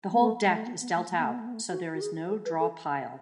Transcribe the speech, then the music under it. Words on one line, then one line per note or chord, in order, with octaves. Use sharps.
The whole deck is dealt out so there is no draw pile.
B3
A3
G#3
A3
B3
B3
A3
A3
B3
A3
B3
A3
B3
A3
F#4
F#4
G#4
A4
B4
A4